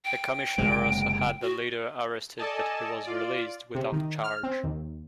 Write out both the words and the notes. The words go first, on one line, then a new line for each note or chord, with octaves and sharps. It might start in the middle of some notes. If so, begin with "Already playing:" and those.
The Commissioner also had the leader arrested but he was released without charge.
G5 D7
F#1 C3 G#3
F#4
A4 D5 D#5 G#5 A5
F4 D5
C3
D#3
F6
C4
D#2